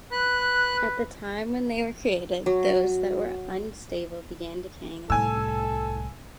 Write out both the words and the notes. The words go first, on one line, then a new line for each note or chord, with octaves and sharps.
At the time when they were created, those that were unstable began decaying immediately.
B4 F#6
F#3
C2 A2 A4 G#5 E6